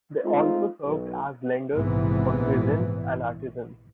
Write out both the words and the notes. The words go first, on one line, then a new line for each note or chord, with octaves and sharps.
They also served as lenders for peasants and artisans.
G#3 A3 C4 D#4 F4
B1
A#1 G#2 C3 E3 B3